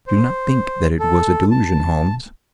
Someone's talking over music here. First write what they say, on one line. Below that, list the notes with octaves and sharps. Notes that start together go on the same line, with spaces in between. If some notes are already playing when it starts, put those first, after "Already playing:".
Do not think that it was a delusion, Holmes.
C5
A4
A5